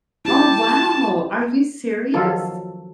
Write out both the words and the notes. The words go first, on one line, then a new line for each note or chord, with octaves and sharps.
Oh wow! Are you serious?
E4 G4 A5
D#3 F3 F#3 F4 A4